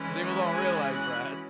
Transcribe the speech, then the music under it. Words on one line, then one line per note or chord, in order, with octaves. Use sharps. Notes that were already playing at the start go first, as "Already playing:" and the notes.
People don't realize that.
Already playing: E3 G#3 C#4
G#4 G#5
F#4 F#5